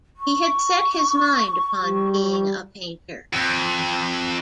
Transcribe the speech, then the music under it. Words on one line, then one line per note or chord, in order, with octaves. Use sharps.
He had set his mind upon being a painter.
C#6
G3
F2